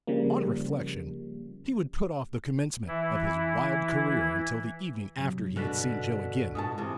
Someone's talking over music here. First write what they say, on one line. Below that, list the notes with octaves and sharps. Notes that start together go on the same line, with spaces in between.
On reflection, he would put off the commencement of his wild career until the evening after he had seen Joe again.
C#3 F3 G3 A#3
E3 E4
G2 C3 F#3
G2 B2 D3 F#6 B6
G#2 B2 A5 D#6
E2 C3